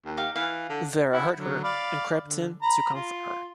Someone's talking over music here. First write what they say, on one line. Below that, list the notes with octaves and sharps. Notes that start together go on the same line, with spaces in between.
Vera heard her and crept in to comfort her.
D#2
D#4 G4 F5
E3 F5
D3
E4 F#5
D3 F#3
D5 F5 B5
D3
A#5 B5
F4